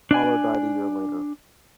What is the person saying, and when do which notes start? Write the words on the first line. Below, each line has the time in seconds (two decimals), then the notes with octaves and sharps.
Mueller died a year later.
0.11 D4 D5 G#5